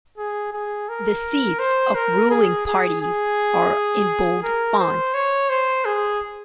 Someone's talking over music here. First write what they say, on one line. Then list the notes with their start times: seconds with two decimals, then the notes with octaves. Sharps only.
The seats of ruling parties are in bold fonts.
0.18 G#4
0.53 G#4
0.89 A#4
1.59 C5
1.95 A#4
2.30 G#4
2.66 G#4
3.02 G#4
4.43 A#4
4.78 C5
5.14 C#5
5.49 C5
5.85 G#4